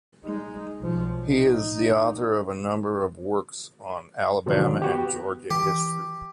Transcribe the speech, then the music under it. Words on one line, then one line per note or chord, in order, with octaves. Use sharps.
He is the author of a number of works on Alabama and Georgia history.
G#3 D#4
B1 F3
D#4
G#2 B2 D3 D#3 F3 F#3
B3 F#4 G4
E3 G4